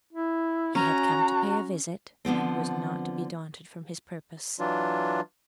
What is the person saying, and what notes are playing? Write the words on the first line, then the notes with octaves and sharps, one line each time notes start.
He had come to pay a visit, and was not to be daunted from his purpose.
E4
C#4 F#4 A#5
D3 F3 B3 C4
E3 F#3 D4 F4